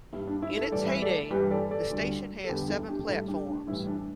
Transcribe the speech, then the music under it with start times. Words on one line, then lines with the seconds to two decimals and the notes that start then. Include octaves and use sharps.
In its heyday, the station had seven platforms.
0.13 G2 G3 E4
0.27 D4
0.42 E4
0.57 E4 A4
0.72 A2 E3 G3 A4 D5
0.86 B4 E5
1.02 A4 D5
1.31 G2 E3 G3 G4 B4
1.51 A4 D5
1.71 A4 D5
1.90 D2 D3 G3
2.44 A4
2.49 E2 D3 G3 G4 B4
2.69 E4 A4
2.88 D4 G4
3.08 A2 G3 E4 A4
3.28 D4 G4
3.47 D4
3.67 A2 E3 G3 E4
3.87 D4